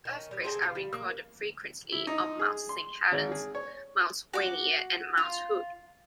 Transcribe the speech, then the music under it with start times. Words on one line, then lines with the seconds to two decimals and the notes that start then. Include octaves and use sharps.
Earthquakes are recorded frequently on Mount Saint Helens, Mount Rainier, and Mount Hood.
0.05 D#3 C#4
0.31 G3
0.44 C4 G#4 A4 G5
0.62 F4
0.75 G3
0.93 A#3
1.92 E4
2.07 D#4
2.40 G#4
2.69 C6
3.12 G#1
3.32 G#4
3.55 C#5
4.34 F#4 D6
5.17 F4